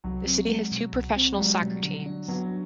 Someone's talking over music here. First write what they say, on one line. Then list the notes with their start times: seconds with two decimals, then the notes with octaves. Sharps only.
The city has two professional soccer teams.
0.04 C2 F#3
0.26 C4
0.48 G#3
0.72 B2
0.93 C2
1.16 C4
1.33 G3
1.38 F#3 G#3
1.62 B2
1.83 D3
2.06 D4
2.28 F#3 B3